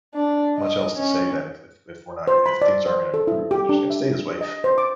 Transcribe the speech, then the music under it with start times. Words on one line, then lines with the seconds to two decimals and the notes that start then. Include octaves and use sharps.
"much else to say then if if if we're not if things aren't gonna improve, they're just gonna stay this way.
0.14 D4
0.58 D#5
0.99 C#4
2.27 C5
2.46 B5
2.62 D5
2.86 C5
3.14 A4
3.27 E4
3.51 G4
3.69 D4
3.90 E5
4.41 D#5
4.64 C5
4.78 D6